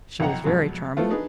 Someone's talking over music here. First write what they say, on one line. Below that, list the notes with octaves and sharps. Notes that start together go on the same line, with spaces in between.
She was very charming.
B1 F2 D#5 F#5 G5 A#5
F2 B2 F#3 G#3
F3 A3 B3 E4 F4
D4 D#4 G#4 B4